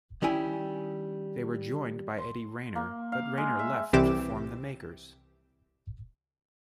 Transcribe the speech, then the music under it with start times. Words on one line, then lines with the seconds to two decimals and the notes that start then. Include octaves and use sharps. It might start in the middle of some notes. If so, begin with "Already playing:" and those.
They were joined by Eddie Rayner, but Rayner left to form The Makers.
0.22 D#3 G3 C#4 E4 G#5
2.18 C6
2.76 A#3
3.12 F5
3.37 G#3
3.59 E5
3.93 C2 C3 E3 G4 D6 E7